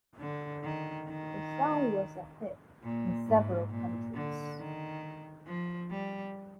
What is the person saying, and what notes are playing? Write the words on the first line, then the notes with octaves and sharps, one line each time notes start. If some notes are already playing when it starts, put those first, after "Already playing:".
The song was a hit in several countries.
D3
D#3
D#3
A#2
G#2
A#2
D3
D#3
F3
G3